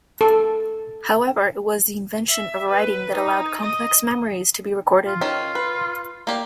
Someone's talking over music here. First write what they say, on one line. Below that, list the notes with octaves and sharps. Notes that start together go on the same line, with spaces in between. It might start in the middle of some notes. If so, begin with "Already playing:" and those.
However it was the invention of writing that allowed complex memories to be recorded.
A4
E5
B4
D#4
D#5
F4
D#3 C#4
B4
A#3 G4 D5